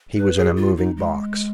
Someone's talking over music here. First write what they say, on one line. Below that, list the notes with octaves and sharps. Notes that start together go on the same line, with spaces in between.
He was in a moving box.
B4
G#4
F4
D#4
G#3